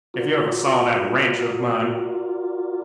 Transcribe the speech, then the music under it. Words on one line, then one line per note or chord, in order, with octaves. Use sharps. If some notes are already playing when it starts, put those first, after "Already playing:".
If you ever saw that ranch of mine!
F4 F#4 A#4 D5